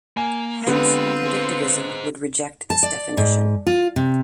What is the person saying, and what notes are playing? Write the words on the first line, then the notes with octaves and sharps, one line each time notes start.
Hence predicativism would reject this definition.
A#3 G#5
D3 G#3 B3 C4 F4 G4 B4
G#4 C5
A5
D5
G#2
F4
C3